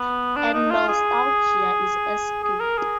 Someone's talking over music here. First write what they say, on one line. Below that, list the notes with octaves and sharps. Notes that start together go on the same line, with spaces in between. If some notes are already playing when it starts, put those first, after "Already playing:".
And nostalgia is escape.
Already playing: B3
D4
D#4
F4
G#4
G#4
A#4
G#4